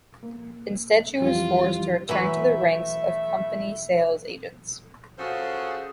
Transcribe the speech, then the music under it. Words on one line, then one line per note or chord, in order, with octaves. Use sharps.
Instead she was forced to return to the ranks of company sales agents.
A#3
F2 E3 F3 G3 C4 F4
E3 F#3 A3 E4 B4 E5
C#3 F3 F#4 G#4 A4 C5